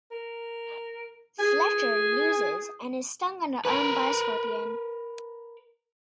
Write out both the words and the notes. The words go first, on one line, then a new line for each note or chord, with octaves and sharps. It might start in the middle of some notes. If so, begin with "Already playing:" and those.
Fletcher loses and is stung on the arm by a scorpion.
A#4
G#4 G#5
A#4 B4